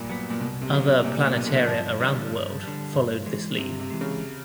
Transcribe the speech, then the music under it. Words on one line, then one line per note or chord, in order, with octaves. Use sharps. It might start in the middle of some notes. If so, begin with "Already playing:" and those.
Other planetaria around the world followed this lead.
Already playing: G2 A#2
F#3 B3
A#2
C2 B2
C3
B2 F#3 B3 D#4
C3
C2 A#2
A#2
B2 F#3 B3 D#4
D3
G2 F3
D3 G3
G2
D3 G3
G2
E3 G#3
G2 C3
C3
E3 G#3
C#3